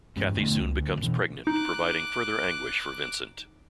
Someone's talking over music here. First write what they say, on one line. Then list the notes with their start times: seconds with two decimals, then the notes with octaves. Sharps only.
Cathy soon becomes pregnant, providing further anguish for Vincent.
0.16 G2 G#3 C#4
0.37 E1 D3 A3 B3
0.60 C#2
0.74 D2
1.02 B2 E3
1.47 D#4 D6 F#6